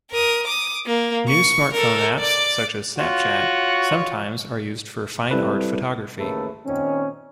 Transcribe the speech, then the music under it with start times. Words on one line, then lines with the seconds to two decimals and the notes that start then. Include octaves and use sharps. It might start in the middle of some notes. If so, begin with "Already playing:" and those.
New smartphone apps such as Snapchat sometimes are used for fine-art photography.
0.11 A#4 D#6
0.47 D6 D#6
0.86 A#3
1.28 C#6
1.73 A4 A#4
2.19 D5 D6
2.98 F4 F#4 C#5
5.31 G3 C4 E4 A4 B4
6.17 A1 D#2 C#3 A3 A#4 B4
6.66 A#2 D#3 C4 C#4